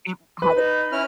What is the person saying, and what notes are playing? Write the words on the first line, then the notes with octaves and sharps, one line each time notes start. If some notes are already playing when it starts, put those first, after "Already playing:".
it had a
B4
D#4
C#4 E4 F6